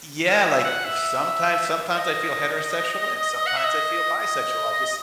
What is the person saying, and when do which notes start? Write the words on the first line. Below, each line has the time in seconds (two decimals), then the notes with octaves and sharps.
Yeah, like, "W sometimes sometimes I feel heterosexual, and sometimes I feel bisexual, I just"
0.27 A#4
0.46 E5
0.64 F#5
0.84 E5
1.97 D#5
3.46 F#5
3.56 E5
3.65 D#5
4.21 D#5